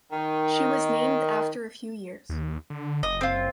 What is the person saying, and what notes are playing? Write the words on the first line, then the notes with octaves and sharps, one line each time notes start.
She was named after a few years.
D#3
D#2
D3
F#1 D#5
C4 F4